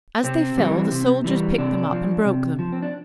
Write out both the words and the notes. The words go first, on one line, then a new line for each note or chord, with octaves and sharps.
As they fell, the soldiers picked them up and broke them.
C3 C4
E3 G3
C3
E3 G3
C3 D4
F3
C3
F3
C4
D4